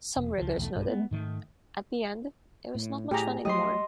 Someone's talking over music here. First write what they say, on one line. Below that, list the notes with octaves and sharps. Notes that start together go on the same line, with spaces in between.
Some regulars noted, At the end, it was not much fun anymore.
E1
C#2 F3
B1 E2 E3 A3
B1 G2
B3
G#2 D#3 A3
A2
A2 G4 G#4 A#5
F#3 A3 G4 D#5 C6